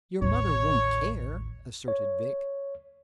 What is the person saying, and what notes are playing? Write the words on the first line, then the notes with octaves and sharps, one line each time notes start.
"Your mother won't care," asserted Vic.
A1 D#2 C#5
C#5